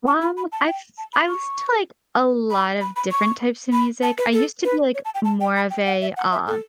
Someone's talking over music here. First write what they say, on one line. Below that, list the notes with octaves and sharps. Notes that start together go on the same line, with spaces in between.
Well, I've I listen to, like, a lot of different types of music. I used to be, like, more of a, uh,
A5
B5
B5
A5
G5
A5
B5
C#6
B5
B5
B5
C#6
B5
A5
B4
A4
B4
C#5
A5
G5
A5
G5
B5
G5
F#5
E5
F#5
E5
A4